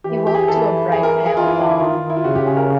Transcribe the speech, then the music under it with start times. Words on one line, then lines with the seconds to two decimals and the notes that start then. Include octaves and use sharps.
He woke to a bright, pale dawn.
0.04 E3 G4
0.27 G4
0.34 G#4
0.48 E3 A4
0.92 G#4
1.03 A#4
1.26 G#4
1.37 E3 F4
1.47 E4
1.59 F4
1.69 E4
1.80 D#3 F4
2.10 E4
2.16 F4
2.24 C#3 F#4
2.35 G4
2.47 G#4
2.57 A#4